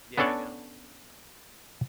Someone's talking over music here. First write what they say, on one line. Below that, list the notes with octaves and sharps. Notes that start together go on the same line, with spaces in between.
Yeah, I know.
B3 C#4 D4 A4 C#5 D5